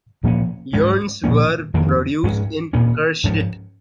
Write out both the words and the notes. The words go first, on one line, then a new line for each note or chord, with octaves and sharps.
Urns were produced in Kahrstedt.
A#2 F3 A#3 C#4
G#2 G#3 C#4
A#2 F3 A#3 C#4
F2 D#3 A#3
G#2 G#3 C#4
A#2 A#3 C#4
G#2 F3 C#4